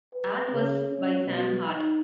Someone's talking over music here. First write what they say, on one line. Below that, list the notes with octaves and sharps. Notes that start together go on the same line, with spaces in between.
Art was by Sam Hart.
B4
C#3
C#4
B2
D#4